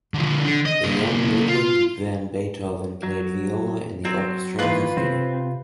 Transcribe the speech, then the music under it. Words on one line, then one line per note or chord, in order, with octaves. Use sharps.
The young Ludwig van Beethoven played viola in the orchestra of the theater.
D3 F3
D3
D#5
C#3 A#3
F4
F#3
F#3 C4
D#3 E3 A#3 F4 B4
C3 C4